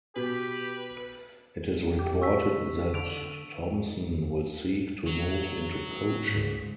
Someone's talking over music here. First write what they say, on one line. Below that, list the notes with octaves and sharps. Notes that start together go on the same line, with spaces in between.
It is reported that Thompson will seek to move into coaching.
B2 G4 B4
G4
C#6 E6 B6
D3 D7 F7
F#3
G#2